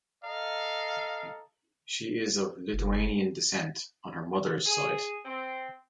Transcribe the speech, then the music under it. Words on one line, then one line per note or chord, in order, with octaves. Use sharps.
She is of Lithuanian descent on her mother's side.
A4 D#5 F5 A#5
F#1
G#4
C4